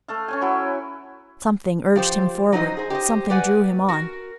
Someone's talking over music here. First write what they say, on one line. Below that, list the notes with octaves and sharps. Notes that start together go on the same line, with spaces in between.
Something urged him forward; something drew him on.
A3 A4 F5
C#4 C#5 G#5
F#3 E4
F3 G4 C5
F#3 D4 D#4 A#4 C5 D#5
G#4 C5
G4 C5 C#5 D#5
G4 B4 D5 F#5 G#5
F#4 A#4